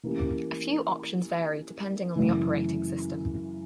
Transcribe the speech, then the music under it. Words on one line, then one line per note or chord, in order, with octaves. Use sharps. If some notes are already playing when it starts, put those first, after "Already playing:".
A few options vary depending on the operating system.
E3 A#3 C#4 G4
F#2 C#3 E3